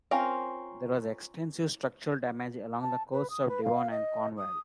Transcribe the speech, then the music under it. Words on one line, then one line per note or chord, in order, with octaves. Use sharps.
There was extensive structural damage along the coasts of Devon and Cornwall.
C4 C#4 F4 A#4 C5
A5
B4
D#6
B4
F5
D#5
D#6